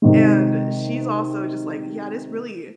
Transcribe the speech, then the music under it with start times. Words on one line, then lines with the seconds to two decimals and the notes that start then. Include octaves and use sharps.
and she's also just like, "Yeah, it is really
0.02 C3 D#3 G#3